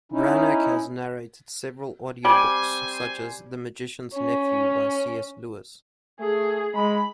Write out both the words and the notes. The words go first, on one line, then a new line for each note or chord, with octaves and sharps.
Branagh has narrated several audiobooks, such as "The Magician's Nephew" by C. S. Lewis.
C#4 D#4 E4
G3 C4 C5 G#5
C#4
A3 G#4
G#3 B5